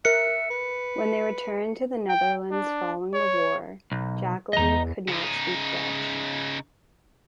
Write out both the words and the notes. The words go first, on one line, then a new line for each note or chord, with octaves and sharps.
When they returned to the Netherlands following the war, Jacqueline could not speak Dutch.
A#4 E5 F#6 C#7
B4
G5
D4
C#5
B1
E2 D#5 A#5
C#3 D#4